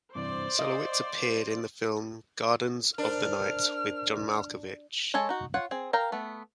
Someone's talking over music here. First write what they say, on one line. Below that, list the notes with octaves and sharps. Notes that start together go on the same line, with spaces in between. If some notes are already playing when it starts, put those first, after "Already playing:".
Solowitz appeared in the film "Gardens of the Night" with John Malkovich.
G2 C3 E3 C5 D5
D#5 F5
D4 A#4 C5 F6
G#3 A4 C#5 G#5
D#4 F#4
F4 C#5 F#5
C4 G#4
A#4 F5 G5 A#5
A3 B3